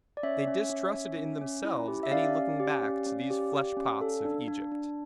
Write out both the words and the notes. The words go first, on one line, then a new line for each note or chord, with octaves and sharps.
They distrusted in themselves any looking back to these flesh-pots of Egypt.
D5
C#4 C#5 E5
C#4
C#4
C#4
C#4
C#4
E4
G4
E5
C#4 D5 F5
C#4
G4
C#4
C#4
G4
G4
C#4
A4
D4
D4
D4